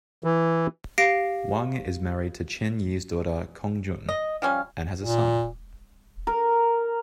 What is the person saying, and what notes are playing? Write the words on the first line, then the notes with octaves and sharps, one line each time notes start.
Wang is married to Chen Yi's daughter Cong Jun and has a son.
E3
G4 F5 A#6 C7 D7
D#5
F3 G3 C#4 F5
A#2
A#4